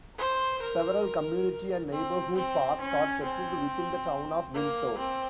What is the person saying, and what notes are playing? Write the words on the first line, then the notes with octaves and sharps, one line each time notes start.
Several community and neighborhood parks are settled within the Town of Windsor.
C5
A#4
C4
C4
C#4
C4
A#3
C4